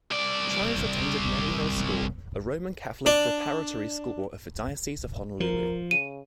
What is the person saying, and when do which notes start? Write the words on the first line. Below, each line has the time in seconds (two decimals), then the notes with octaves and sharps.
Trias attended Maryknoll School, a Roman Catholic preparatory school of the Diocese of Honolulu.
0.11 C2 D5
3.06 D4
5.40 F3 A#4
5.91 C#3 D#7